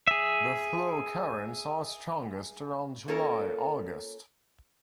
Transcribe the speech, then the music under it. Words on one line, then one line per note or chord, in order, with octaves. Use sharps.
The flow currents are strongest around July-August.
G#4 E5
A#3 C#4 F4 A4 A#4